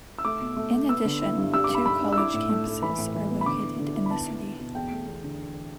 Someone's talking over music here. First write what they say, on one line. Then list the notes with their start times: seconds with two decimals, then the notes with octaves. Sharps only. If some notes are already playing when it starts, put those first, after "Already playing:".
In addition, two college campuses are located in the city.
0.18 E6
0.25 A3 D6
0.41 B2
0.56 A3
0.73 A3
0.89 B3 E6
1.05 D3
1.22 E4
1.38 G2
1.54 G3 E6
1.64 D6
1.70 G2
1.75 B5
1.86 G2 B5
2.02 D4
2.13 E6
2.18 E4 D6
2.34 A2
2.49 A3
2.66 A3
2.82 E3 B5
2.98 A2
3.14 E3
3.30 B3
3.41 B5
3.46 D3 D6
3.63 E4
3.79 D3
3.95 E4
4.06 B5
4.10 B3 A5
4.27 E4
4.43 E4
4.59 B2
4.75 E2 G5
4.91 A3
5.07 E2
5.24 D3